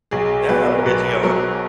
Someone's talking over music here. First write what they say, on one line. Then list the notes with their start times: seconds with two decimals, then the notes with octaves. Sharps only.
Yeah, it'll get you going.
0.11 B1 G#4
0.48 B2 F#3 B4
0.78 A#4
0.86 B1 B4
1.23 B2 F#3 A#4